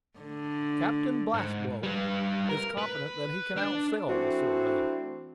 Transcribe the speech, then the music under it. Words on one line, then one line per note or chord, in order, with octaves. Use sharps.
"Captain Blastblow is confident that he can outsail the Sylvania."
D3 A3
G#2
G3 B4
A#4
B4
D4
E3 A3 C4 D4 F#4